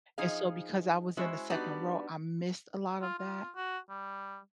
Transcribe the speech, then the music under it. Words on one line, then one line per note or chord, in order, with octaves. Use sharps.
and so because I was in the second row I missed a lot of that
F3 D#4 G#4 F5
G#3 C#4 E4 F#4 C5
G3 B3 D4 D#4 F#4
F4
F4
F#4
G3